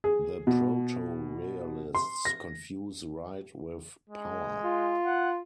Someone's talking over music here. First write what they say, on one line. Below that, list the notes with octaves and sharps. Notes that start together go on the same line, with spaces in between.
The proto-realists confuse right with power.
G#4
B2
C6
A#6
G#3
F4
F#5